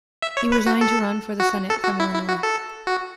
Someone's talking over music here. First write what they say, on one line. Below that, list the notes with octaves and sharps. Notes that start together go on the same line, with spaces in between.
He resigned to run for the Senate from Illinois.
E5
C#5
B4
F#4
A4
F#4
A4
F#4
E4
E4
F#4
A4
F#4